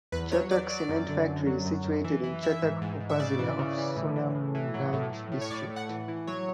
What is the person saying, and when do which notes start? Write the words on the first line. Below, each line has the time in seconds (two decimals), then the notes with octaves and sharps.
Chhatak Cement Factory is situated in Chhatak Upazila of Sunamganj district.
0.12 E2 B4
0.32 F#3 C#5
0.51 F#3 D5
0.69 F#3 D5
0.89 F#2
1.08 D3
1.28 F#2
1.47 F#3
1.66 F#2
1.85 F#2
2.04 E3
2.23 E3
2.43 E3 E5
2.62 G#2
2.81 G#2
3.00 G#2
3.09 E5
3.20 C#3 D5
3.39 E3
3.59 C#3
3.77 E3
3.96 A2
4.16 E3
4.35 A2
4.55 E3
4.74 F#3
4.93 A2
5.13 A2
5.32 A2
5.41 C#5
5.51 A2 D5
5.70 A2
5.76 F#5
5.89 E3
6.08 E3
6.27 F#3 C#5